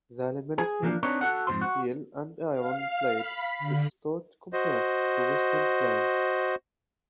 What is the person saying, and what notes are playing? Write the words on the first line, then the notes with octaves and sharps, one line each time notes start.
The laminated steel and iron blade is stout compared to western planes.
G#4
E3 F3 A#3 D4
C4 D4 D#4 B4 C#5
F#4 A4 F#5
F2 G#2 C3 C5 C6
F#4
F5
B5
D3
F#4 C5 D#5